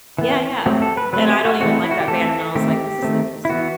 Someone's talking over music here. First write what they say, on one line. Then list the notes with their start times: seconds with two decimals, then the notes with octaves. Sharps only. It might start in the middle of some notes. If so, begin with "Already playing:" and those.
Yeah, yeah, and I don't even like that band, and I was, like, "This is interesting."
0.18 E3 B3
0.66 F#3 A3 C4 G4
0.82 A4
0.97 B4
1.13 F#3 A3 C4 B4
1.29 G4
1.45 F#4
1.60 E3 A3 C4 F#4
1.84 E4
1.91 F#4
2.00 G4
2.08 E3 A3 C4 A4
2.55 D#3 A3 C4 G4
3.03 D#3 A3 C4
3.45 E4
3.50 E3 B3 F#4